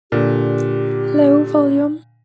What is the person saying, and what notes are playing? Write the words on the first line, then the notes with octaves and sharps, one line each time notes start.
Low volume.
A#2 D3 G4